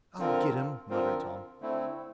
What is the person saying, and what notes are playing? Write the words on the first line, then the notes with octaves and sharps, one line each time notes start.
"I'll get him!" muttered Tom.
D3 F3 C4 F4 A#4
D3 F3 C4 F4 A#4
D3 A3 C4 E4